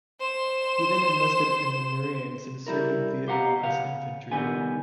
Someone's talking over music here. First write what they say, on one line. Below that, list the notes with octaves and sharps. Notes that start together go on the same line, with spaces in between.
He then enlisted in the Marines and served in Vietnam as infantry.
C5 E7
G3 E4 A#4
G4 F5 F#5 A#5
C#3 F5 F#5
C2 D3 D#3 G3 B3 G#5